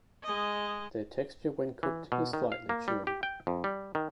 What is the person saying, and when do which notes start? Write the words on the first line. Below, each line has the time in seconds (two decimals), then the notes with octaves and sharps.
Their texture when cooked is slightly chewy.
0.23 G#3 D#5
1.83 E3
2.12 B2
2.33 D#3
2.52 F5
2.69 A#3
2.88 G3
3.07 G4
3.23 G5
3.47 F2
3.64 G3
3.95 D#3